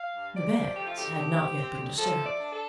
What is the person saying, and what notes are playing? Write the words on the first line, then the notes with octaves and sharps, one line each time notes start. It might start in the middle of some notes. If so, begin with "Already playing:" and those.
The bed had not yet been disturbed.
Already playing: F5
G2
C3 D5
F3
A3 G4
F4
D2 G4
D3 G4
F3
C4
D2
F3 A4
A3
D5
D4
A4